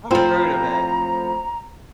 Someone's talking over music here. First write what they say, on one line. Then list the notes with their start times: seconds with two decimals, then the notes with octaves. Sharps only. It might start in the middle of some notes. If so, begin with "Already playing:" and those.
I heard of that
0.11 A2 F3 C4 F4 C5 A#5